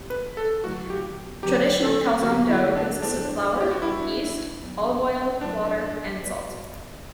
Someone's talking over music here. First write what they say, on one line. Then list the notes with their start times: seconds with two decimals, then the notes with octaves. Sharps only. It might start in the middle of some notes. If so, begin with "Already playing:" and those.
Traditional calzone dough consists of flour, yeast, olive oil, water and salt.
Already playing: C4 G4 D5
0.10 B4
0.37 A4
0.63 D3 F#3 A3 E4 F#4
0.90 G4
1.43 D3 F#3 C4 F#4 G4 B4
1.82 A4
2.23 D3 F#3 C4 F#4 G4
2.50 E4
2.76 D4
3.02 B3 D4 E4 A4 C5
3.61 G4
3.71 F#4
3.82 G3 D4 E4 G4 B4
4.62 F#3 B3 D4
5.41 F#3 B3 D4 E4 B4 D5
6.21 G3 B3 F#4 B4 D5